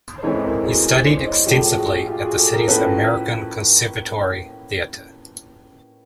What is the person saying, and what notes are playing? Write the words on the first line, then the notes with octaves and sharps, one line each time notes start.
He studied extensively at the city's American Conservatory Theater.
C5
G#2 E3 A3 C4 B4 C#5
A#4 C5
F#4 G#4
C5 D5
C#5 D#5
A2 F3 G#3 G4 A4
F#4 G#4
F4 G4
F#4 G#4
G4 A4
G#4 A#4
A2 F3 A#3 C#4 A4 B4